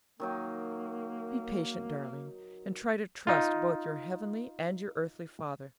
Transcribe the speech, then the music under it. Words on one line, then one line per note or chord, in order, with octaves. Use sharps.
Be patient, darling, and try to trust both your heavenly and your earthly father.
D#3 F#3 A#3 D#4
D#4 F4